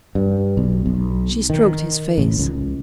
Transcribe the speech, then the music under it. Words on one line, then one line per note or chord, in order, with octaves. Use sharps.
She stroked his face.
G2
B1
B1
D#3
A1
C#2